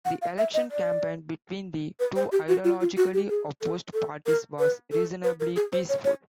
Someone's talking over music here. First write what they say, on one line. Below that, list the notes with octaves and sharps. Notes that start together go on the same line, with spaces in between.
The election campaign between the two ideologically opposed parties was reasonably peaceful.
F#5
F5
E5
D#5
D5
B4
C5
G4
F#4
F4
F4
F#4
G4
G#4
A4
A4
A#4
B4
A4
B4
A#4
G#4
C5
C#5
C#5